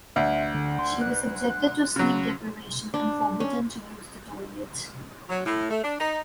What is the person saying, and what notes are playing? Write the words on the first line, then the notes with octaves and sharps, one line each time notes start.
She was subjected to sleep deprivation and forbidden to use the toilet.
D2 E5
D3
C6
F#6
C#3 F#3
D4
C#4
F#3
A2
A3
D4
D#4